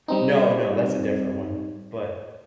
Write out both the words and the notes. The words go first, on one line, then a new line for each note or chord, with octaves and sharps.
No, no, that's a different one, but
G3 C4 D#4